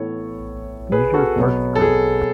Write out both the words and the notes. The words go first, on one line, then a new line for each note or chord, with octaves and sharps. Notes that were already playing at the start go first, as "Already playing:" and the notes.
Leisure Parks group.
Already playing: A2 E3 B3 A4 C#5
G#4 B4
F#4 A4
B2 F#3 B3
A4
G#4